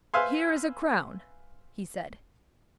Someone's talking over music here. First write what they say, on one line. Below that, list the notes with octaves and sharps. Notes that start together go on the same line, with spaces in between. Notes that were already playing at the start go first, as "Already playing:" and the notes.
"Here is a crown," he said.
B4 C5 E5 F5 G#5 C6